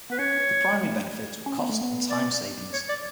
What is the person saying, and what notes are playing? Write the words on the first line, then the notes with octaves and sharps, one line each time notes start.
The primary benefits were cost and time savings.
B3 B4
C#4 C#5
G#3
A3
C#4
B3
A3
B3
D5
C#5
D5